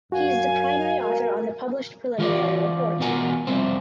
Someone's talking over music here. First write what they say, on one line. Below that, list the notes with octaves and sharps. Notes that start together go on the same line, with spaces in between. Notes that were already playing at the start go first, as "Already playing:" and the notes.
He is the primary author on the published preliminary report.
F#2 F#4 F5 G#5
A#4
E3 F4 A#4 C#5 D5
B2 E3 F#4 A#4 G#5
F2 C3 G3 C4 C5